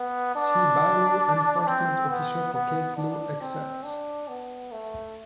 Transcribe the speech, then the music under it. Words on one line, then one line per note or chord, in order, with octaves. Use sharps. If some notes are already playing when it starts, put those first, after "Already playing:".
See Bylaw Enforcement Officer for case-law excerpts.
Already playing: B3
D4
C4
B3
B3
D4
C4
D4
B3
A3